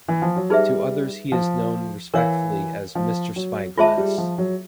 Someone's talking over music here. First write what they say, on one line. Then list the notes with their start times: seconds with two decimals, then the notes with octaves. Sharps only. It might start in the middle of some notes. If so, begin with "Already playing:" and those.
To others he is known respectfully as 'Mr Spyglass.
0.08 E3
0.22 F3
0.36 F#3
0.50 G3 D#4 G#4 B4 E5
1.32 F3
2.14 E3 A#4 C#5 F5
2.95 F3
3.36 F#3
3.77 G#3 F4 G#4 C5 E5 A5
3.98 G3
4.18 F3
4.38 F#3